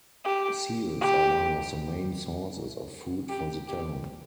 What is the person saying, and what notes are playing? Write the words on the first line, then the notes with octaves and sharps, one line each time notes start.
Seals are one of the main sources of food for the town.
G4
G4
G4
G4